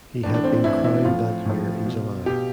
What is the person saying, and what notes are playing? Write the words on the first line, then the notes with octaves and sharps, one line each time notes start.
He had been crowned that year in July.
A2 E3 D4
D4
C4
C4
A2 E3 E4
E4
A2 F3 F4
A2 F3
B2
B2 G4